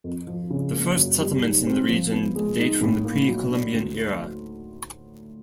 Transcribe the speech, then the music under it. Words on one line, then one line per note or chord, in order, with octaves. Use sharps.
The first settlements in the region date from the Pre-Columbian era.
F2
F3
C#3
A#3
F#2
G3
D#3
C4
F3
B3
G#3
D#4
A2
A#3
F#3
D4
D2